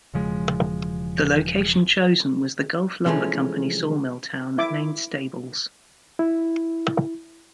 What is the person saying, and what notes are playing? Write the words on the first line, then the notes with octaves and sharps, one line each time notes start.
The location chosen was the Gulf Lumber Company sawmill town named Stables.
E1 C#3 F3 G#3
C3 E3 F3 G#3 A3 C#4
E4 E5 D6
E4